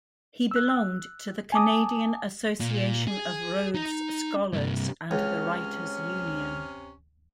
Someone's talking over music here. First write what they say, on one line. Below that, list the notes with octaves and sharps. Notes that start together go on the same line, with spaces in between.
He belonged to the Canadian Association of Rhodes Scholars and the Writers' Union.
E6 F#6
G#5 A5 D6 D#6
A#2
G#4
D#4 A#5
G2 C3
C#2 C3 C#4 F6